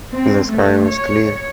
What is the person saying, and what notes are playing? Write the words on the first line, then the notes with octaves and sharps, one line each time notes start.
The sky was clear.
C4
A3
C#5